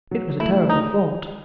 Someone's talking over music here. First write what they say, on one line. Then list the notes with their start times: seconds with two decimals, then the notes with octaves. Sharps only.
It was a terrible thought.
0.11 F#3
0.40 A3 E4
0.69 D#4